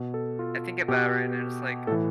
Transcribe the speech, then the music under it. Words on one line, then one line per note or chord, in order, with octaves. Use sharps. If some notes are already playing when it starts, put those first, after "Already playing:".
I think about it right now, and it's, like,
Already playing: B2
A4
F4
B2 G4
A2 E3 A4